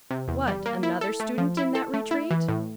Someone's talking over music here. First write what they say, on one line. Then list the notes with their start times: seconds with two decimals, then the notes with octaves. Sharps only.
"What--another student in that retreat?"
0.11 C3
0.28 E2
0.47 G3
0.66 A#3
0.83 E4
1.01 A4
1.20 A3
1.38 F3
1.57 E4
1.75 A4
1.94 A3
2.11 E4
2.31 E3
2.48 A2